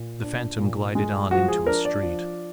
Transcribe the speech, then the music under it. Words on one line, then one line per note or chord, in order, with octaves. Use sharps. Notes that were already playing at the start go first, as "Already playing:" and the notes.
The Phantom glided on into a street.
Already playing: A#2
D4
A#2
G#3
F3 F#4
G#4
D4 A#4
D5
F3